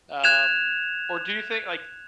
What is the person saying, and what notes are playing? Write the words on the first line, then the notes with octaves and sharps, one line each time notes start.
Um, or do you think like,
F#6 G#6 E7 F7